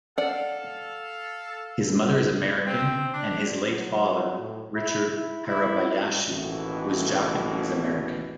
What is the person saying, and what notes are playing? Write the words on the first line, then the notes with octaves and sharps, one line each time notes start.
His mother is American and his late father, Richard Hirabayashi, was Japanese American.
A4 D5 F5 F#5
C4
D4
F#3
A2
E4
E4
E4
A1 D#2 B2 E3 A3